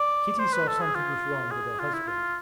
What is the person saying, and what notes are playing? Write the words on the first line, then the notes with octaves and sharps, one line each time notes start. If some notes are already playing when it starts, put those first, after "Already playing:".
Kitty saw something was wrong with her husband.
Already playing: D5
C5
B4
A4
G#4
F4
G#4
F4
E4
F4